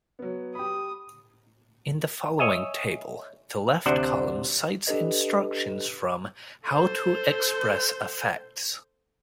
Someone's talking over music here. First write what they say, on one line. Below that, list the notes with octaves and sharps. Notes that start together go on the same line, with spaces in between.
In the following table, the left column cites instructions from how to express affects.
F#3 B3
G4 B5 D#6
C#5 D#5 E5 G#5
D2 C3 D4 C5 F#5
D4 G4 A4 B4 D#5
A4 C5